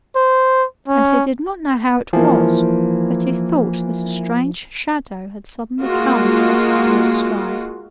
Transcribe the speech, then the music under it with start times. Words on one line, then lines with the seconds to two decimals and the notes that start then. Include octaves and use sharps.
And he did not know how it was, but he thought that a strange shadow had suddenly come across the blue sky.
0.16 C5
0.88 C#4
2.13 E3 F3 A#3
5.82 G#3 A#3 F4 F#4